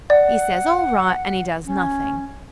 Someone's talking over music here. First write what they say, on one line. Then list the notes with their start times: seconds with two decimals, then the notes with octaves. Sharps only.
He says, 'All right,' and he does nothing.
0.10 D5 F#5
1.65 C#4